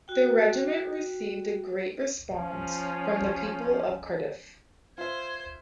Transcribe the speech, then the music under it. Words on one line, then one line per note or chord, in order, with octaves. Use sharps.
The regiment received a great response from the people of Cardiff.
F#4 G5
F3 C#4
F4 C5 E5 G#6